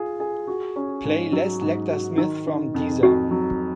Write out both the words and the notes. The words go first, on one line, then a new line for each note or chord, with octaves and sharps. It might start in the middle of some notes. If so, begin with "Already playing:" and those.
Play Les Lecter Smith from deezer.
Already playing: F4 G#4
G#4
F#4
C#4
G#2
F#3 D#4
G#2
F#4
D#3 D#4
D#3
F2
F2 F#4
F#3